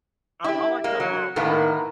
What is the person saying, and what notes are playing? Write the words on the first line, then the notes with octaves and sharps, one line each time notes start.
I I like to, um
E4 G4
G#3 A#3
F#3
A2 D#3 A#3 B3